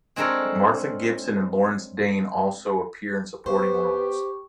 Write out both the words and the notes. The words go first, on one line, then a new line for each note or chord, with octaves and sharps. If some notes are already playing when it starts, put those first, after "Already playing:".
Martha Gibson and Lawrence Dane also appear in supporting roles.
G#3 C4 D4 A4 A#4 C#5
B3 G4 C5 C#6